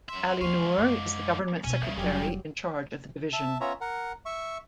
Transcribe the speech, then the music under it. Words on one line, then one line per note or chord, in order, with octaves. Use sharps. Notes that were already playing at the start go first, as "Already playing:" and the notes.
Ali Noor is the government secretary in charge of the division.
F#2 E5 C6
D#2 G#2 F5 C6 C#6
F#2 D6
B2 C#4 D4 G#5
D2 G2 C#3 G3 E5
F1 F#3 G3 G5
E5 A5
B3 C#4 F4 C#5 E5 A#5
A#4 F#5
E5 C#6